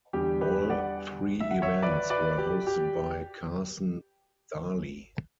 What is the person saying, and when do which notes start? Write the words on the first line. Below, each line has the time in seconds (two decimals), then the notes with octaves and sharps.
All three events were hosted by Carson Daly.
0.13 E2 D3 G3 G4
0.41 G4 B4
0.70 D5 F#5
1.40 E5
1.51 F#5
1.62 C#5 E5
1.83 B4 D5
2.10 B4 D5
2.38 G4
2.67 G4